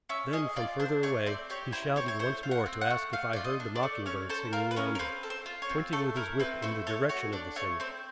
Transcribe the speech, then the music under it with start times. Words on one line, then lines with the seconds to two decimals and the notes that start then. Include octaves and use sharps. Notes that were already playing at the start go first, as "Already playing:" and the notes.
Then, from further away, he shouted once more to ask if I heard the mocking-bird singing yonder, pointing with his whip in the direction of the singer.
0.09 C#4 E5
0.33 G#4 D#5
0.56 F4 D5
0.80 D4 C5
1.03 A3 C#5
1.26 C4 D5
1.50 G4 C#5
1.72 E4 C5
1.96 C4 C#5
2.08 C#5
2.19 A3 C5
2.43 F4
2.51 F#5
2.66 C4
2.81 F#5
2.90 A3
3.13 A3 F5
3.33 F4 D5
3.44 D#5
3.60 D4
3.75 D5
3.83 A3
4.06 C#4 C#5
4.29 A4 C5
4.53 F4 A#4
4.71 B4
4.76 C#4 A#4
4.95 A#4
4.99 C4 B4
5.23 A4
5.30 C5
5.46 F4
5.62 C#5
5.69 C4
5.93 A3 A4
6.16 E4 A#4
6.40 C4 B4
6.62 A3 C5
6.87 A4 C#5
7.09 F#4 C#5
7.32 D4 D5
7.56 A3 C#5
7.80 C4 C5